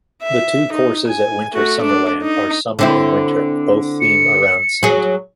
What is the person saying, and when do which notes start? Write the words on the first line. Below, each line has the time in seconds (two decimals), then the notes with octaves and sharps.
The two courses at Winter Summerland are Summer and Winter both theme around Santa.
0.23 E5
0.72 D#4
1.07 G#5
1.53 A3 F#4
1.81 D4
2.22 D#4
2.79 D3 C4 E4
4.01 C#7
4.83 F#3 G#4